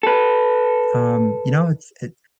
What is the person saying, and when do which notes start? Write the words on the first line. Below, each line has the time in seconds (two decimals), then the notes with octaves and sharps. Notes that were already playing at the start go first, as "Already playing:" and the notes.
um, you know, it's it
0.03 A4 B4